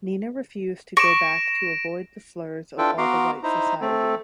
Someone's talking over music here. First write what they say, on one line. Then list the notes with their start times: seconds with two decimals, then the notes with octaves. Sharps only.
Nina refused to go back to avoid the slurs of all the white society.
0.97 C#6 A#6 D7 E7
2.78 D4 E4 F4 A4 B4 G5
2.98 B3 F#4 F5 A#5 C6 D6
3.43 D#4 E4 C5 A#5
3.81 A3 C4 A4